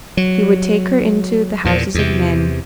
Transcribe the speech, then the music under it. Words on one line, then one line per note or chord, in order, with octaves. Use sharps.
He would take her into the houses of men.
F#3
E2 A#2
E2 C3